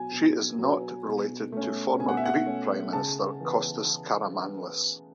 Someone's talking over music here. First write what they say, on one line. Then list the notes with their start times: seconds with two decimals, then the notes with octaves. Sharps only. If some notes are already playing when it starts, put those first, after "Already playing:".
She is not related to former Greek Prime Minister Kostas Karamanlis.
Already playing: B2 F#3 G#5
0.12 B2
0.58 F#3 B3
1.06 B2
1.52 A3 C#4
1.99 B2 G#5
2.09 F#5
2.17 E5
2.25 F#5
2.46 A3 C#4
2.93 C#3 A5
3.40 E3 B3